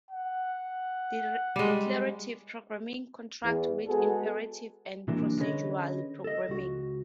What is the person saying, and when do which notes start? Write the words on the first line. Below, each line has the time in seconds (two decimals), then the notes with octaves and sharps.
Declarative programming contrasts with imperative and procedural programming.
0.11 F#5
1.56 G3 G#3
3.44 E2
3.88 G#3 B3 F#4 G#4 A4
5.08 C3 E3 F#3 A#3 D4
5.39 D3 C#4 G#4 B4 C#5 D#5
6.24 A4 D#5
6.49 C#2 F#4